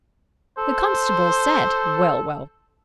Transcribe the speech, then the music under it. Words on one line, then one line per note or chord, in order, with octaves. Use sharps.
The constable said 'Well!
A4 C5